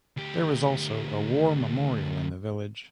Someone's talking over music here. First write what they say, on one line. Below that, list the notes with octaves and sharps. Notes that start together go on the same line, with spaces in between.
There is also a war memorial in the village.
D2 G4